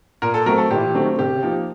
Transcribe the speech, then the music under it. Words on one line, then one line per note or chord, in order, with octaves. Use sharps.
Dumm never married.
A#2 A#4
A4
F#3 A3 C4 A#4
A4
A#2 G4
F#3 A3 C4
C3 G4
F3 A#3 D#4